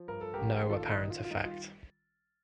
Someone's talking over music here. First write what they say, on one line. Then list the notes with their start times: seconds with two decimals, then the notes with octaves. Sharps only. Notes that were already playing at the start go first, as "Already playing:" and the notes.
No apparent effect.
Already playing: F3
0.08 G2 A#4
0.21 A4
0.34 A1 G4 A#4
0.69 D#3 F4 A4
0.89 D#4
1.00 D#3
1.10 F4
1.24 F4
1.30 G3 D#4
1.45 F4